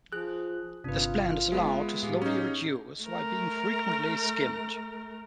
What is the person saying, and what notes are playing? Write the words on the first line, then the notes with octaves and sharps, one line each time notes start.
This blend is allowed to slowly reduce while being frequently skimmed.
F3 G#4 F#6
G1 C3 D4 F4 B4
G#3 B3 E5
A2 G4 G#4 F5
C#4 D#4
A3 A#4